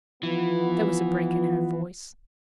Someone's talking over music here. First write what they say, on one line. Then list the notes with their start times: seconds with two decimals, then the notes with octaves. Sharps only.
There was a break in her voice.
0.23 E3 F3 B3 F4